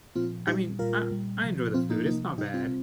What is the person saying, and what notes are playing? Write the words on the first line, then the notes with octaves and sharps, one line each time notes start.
I mean, I I enjoy the food, it's not bad,
A#2 F3 C4 F4
A#2 G3 D#4 G4
A#2 G3 F4 A#4
A#2 G3
C3 F3
A#2 F3 C4 F4
A#3 D#4
C3 F3 A#3 D#4
C3 G3 D#4 G4
C4 F4